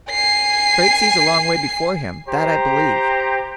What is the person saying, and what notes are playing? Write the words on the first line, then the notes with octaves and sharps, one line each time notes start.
The Frate sees a long way before him; that I believe.
G#5 C7
G4 C5 A#5